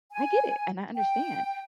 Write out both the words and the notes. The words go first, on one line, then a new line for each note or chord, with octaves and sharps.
I get it, and I understand.
G#5
G5